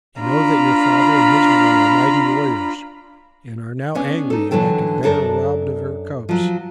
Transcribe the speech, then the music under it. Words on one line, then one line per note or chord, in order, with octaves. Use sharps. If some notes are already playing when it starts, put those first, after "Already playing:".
You know that your father and his men are mighty warriors and are now angry, like a bear robbed of her cubs.
D4 F4 A#5 B5
B3 C#4 D4
D#4 A4
D3 E3 F#3 A4 G5
F#2 D4 A4 A#4
F3 F#3